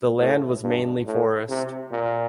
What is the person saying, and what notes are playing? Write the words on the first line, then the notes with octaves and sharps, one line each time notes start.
The land was mainly forest.
A2
G2
A2
C3
A#2